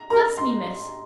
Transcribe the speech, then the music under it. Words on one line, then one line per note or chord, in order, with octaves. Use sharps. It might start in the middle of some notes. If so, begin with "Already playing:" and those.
'Bless me, miss!
Already playing: A#5
A#4 A#5
C6